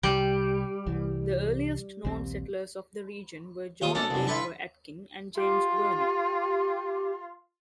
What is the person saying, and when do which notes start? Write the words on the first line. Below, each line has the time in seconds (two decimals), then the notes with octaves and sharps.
The earliest known settlers of the region were John Baker Atkin and James Burney.
0.03 C2 G3
0.86 C2 E3
2.05 A#1 D#2 C4
3.81 D#2 F3 F4 D#6
3.95 B2 C#4 D4 A4 D5
4.10 C2 F#2
4.27 D3 G3 E4 F4 B4 B5 C#6
5.38 F4 G4